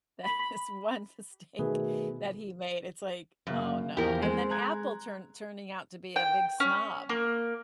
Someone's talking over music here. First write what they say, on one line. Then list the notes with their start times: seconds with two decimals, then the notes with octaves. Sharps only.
That is one mistake that he made. It's like, "Oh, no," and then Apple turn turning out to be a big snob,
0.24 B5
1.59 B2 D#3 A3 G#4 B4
3.47 F#2 C#3 A#3
3.97 E2 E3 F3 G4 A#4
4.22 G#3 C4 A4
4.50 A#5 F#6 G#6
6.16 G5
6.60 C#4
7.09 A#3